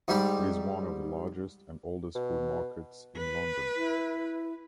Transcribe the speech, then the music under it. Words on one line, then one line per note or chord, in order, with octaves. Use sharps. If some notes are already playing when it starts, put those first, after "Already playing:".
It is one of the largest and oldest food markets in London.
G#2 G3 G4
B2
B4
E4